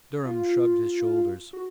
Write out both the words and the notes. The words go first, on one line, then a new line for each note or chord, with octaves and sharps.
Durham shrugged his shoulders.
F4
F#4